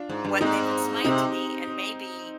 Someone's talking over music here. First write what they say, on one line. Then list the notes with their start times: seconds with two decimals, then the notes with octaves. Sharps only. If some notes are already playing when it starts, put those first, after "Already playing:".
what they've explained to me, and maybe,
Already playing: D4 F4
0.09 G#2
0.25 G2
0.41 G#2 C4 D#4
1.04 C3 C4 D#4